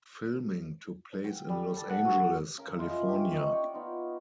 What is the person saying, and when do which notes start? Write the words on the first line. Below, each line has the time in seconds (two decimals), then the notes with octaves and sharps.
Filming took place in Los Angeles, California.
1.24 G5
1.49 G3
1.77 A4
1.89 F#5
2.05 F#4
2.58 C#3 A#4 F5
2.78 E4 F4 G#4 D#5
3.06 C#4 G4
3.32 D#4 D#5 C#6
3.52 C#5 D5 F#5 G5
3.74 B3 D#4 F4